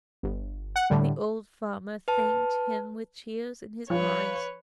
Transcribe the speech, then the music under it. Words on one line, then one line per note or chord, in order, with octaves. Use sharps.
The old farmer thanked him with tears in his eyes.
G1
F#5
A2 D3 G3
B4 A5
F3 B4 C#5